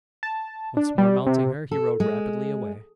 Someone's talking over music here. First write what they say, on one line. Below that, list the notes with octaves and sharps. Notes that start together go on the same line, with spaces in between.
Once more mounting her, he rode rapidly away.
A5
D4
G3
C3
A4
G#3